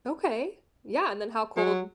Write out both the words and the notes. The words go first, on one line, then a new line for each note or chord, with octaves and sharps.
Okay. Yeah. And then how cold
F#3